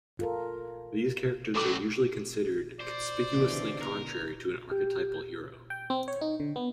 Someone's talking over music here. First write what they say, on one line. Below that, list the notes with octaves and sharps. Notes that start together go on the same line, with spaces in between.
These characters are usually considered "conspicuously contrary to an archetypal hero".
F4 A4 A#4
A2 F#3 A4 C#6 D6
C5 D5
B2 D3 E3
A#4
G4
G5
C4
C#5
D#4
D3
B3